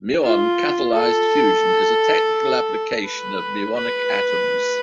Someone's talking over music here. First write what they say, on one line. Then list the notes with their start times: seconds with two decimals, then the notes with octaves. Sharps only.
Muon-catalyzed fusion is a technical application of muonic atoms.
0.24 F4
0.94 A4
3.05 B4
3.76 B4